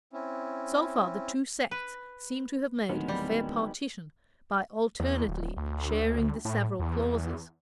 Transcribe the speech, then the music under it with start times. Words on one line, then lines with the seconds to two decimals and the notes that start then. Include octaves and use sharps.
So far the two sects seem to have made a fair partition by alternately sharing the several clauses.
0.13 C4 C#4 E4
1.71 B4
2.89 D1 D#3 F#3 G#3 B3
3.08 G3
5.00 E2
5.28 D1
5.57 D2
6.45 A2
6.80 E2